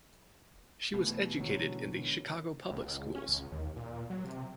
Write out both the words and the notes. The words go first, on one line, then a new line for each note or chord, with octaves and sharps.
She was educated in the Chicago Public Schools.
B2 D#3 E3 A3 B3
D3 F#3 G#3
F#2
C#2
C#4
C#2
D#2
A#2
F#3
C3